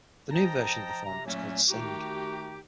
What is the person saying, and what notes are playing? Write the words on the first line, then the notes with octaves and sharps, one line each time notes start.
The new version of the format was called Sing!
F3 D#5 G5 A5 A#5
C3 A#5
A#2 F#3 A3 A#3 C#4
D#3 A3 D#4 F#4 G4